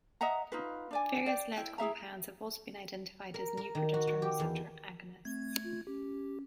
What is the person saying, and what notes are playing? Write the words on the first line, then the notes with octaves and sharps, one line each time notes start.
Various lead compounds have also been identified as new progesterone receptor agonists.
D#5 E5 F#5 A#5
D#4 F4 B4
D4 D5 G#5
D5 G5
E4 G5
E4 G#4 E5 A#5
A#4
A#4
D#3
F#4
F#4
G4
E2
A3 C4 G#6
F4
C#4 G4